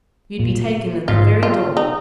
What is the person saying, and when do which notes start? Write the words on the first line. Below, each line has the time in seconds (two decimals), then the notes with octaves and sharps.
You'd be taken at the very door.
0.39 A#2
1.08 G#2 F4
1.43 F4
1.77 D#4